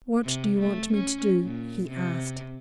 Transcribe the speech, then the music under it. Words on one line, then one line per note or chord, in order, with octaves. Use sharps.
"What do you want me to do?" he asked.
C3
A3
C#4
A#2
C3